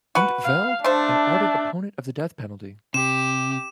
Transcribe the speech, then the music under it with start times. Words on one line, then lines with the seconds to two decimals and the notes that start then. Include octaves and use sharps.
In 't Veld is an ardent opponent of the death penalty.
0.15 F#4 B4
0.45 F5
0.84 A3 D4 C5
2.94 C3 G4 E7